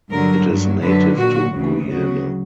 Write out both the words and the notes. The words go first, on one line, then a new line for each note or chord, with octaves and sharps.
It is native to Guyana.
G2 D3 F#3 A#4
G2 F#3
F#2 D3 F#3 B4
A#2 F#3 F#4
D2 C#3 E3
D2 C#3 F#3 F#4